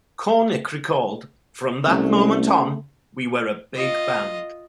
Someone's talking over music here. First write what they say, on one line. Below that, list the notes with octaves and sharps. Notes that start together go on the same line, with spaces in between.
Cornick recalled, from that moment on, we were a big band.
C2 A3 C#4
F4 D#5